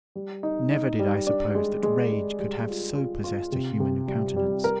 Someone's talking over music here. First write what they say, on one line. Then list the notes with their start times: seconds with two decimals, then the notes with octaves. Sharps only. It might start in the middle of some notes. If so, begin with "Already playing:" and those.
Never did I suppose that rage could have so possessed a human countenance.
0.15 G3
0.43 D#4
0.71 D#4
0.99 G3
1.27 D4
1.55 G#3
1.83 G#3
2.12 G#3
2.39 G3
2.67 F4
2.95 F4
3.24 F4
3.52 C3
3.80 C3
4.08 G3
4.36 G3
4.64 A#4